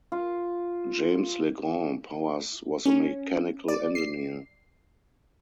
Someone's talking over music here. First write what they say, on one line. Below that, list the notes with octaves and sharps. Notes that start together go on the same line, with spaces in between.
James Legrand Powers was a mechanical engineer.
F4
C#4
D5
C7